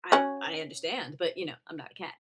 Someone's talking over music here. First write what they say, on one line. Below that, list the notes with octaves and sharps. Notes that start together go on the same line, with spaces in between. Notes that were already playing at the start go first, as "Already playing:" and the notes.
I I understand, but, you know, I'm not a cat.
C#4 F#4